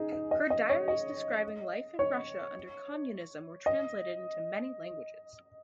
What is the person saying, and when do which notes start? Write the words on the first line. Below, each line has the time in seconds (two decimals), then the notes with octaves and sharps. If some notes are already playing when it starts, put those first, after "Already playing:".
Her diaries describing life in Russia under communism were translated into many languages.
Already playing: D#4 G#4
0.12 D#4
0.31 D#5
0.50 D#5
0.69 C#5
0.88 D#5
1.99 C#5
3.66 D#5